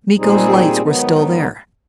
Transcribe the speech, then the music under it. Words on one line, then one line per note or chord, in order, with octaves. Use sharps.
Miko's lights were still there.
A#2 G3 C4 D#4 G#4
G#2 D#3 F#3 B3 D#4